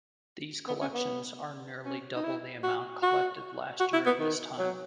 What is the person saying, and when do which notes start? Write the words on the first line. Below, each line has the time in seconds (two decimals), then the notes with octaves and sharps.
These collections are nearly double the amount collected last year at this time.
0.68 B3
0.81 C#4
0.94 B3
1.85 C#4
2.16 D#4
2.24 E4
2.64 F#4
3.03 F#4
3.80 F#4
3.93 E4
4.06 B3
4.20 D#3
4.59 F#3